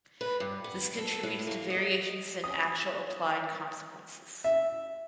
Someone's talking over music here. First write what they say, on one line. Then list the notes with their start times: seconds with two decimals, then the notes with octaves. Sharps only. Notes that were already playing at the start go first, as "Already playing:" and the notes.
This contributes to variations in actual applied consequences.
0.21 B4
0.40 G2
0.64 B3
0.97 A4
1.23 A2
1.47 A#3
1.70 D#5
2.44 D#6
4.44 E5